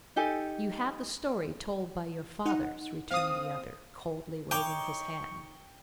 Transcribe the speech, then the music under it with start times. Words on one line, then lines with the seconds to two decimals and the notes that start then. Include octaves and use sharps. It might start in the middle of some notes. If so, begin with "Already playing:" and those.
"You have the story told by your fathers," returned the other, coldly waving his hand.
0.16 D#4 G4 A4 G#5
2.46 D#4 F#5
3.11 D#2 C4 C5 F5 D#6
4.51 D#4 C#5 G5 C#6 D6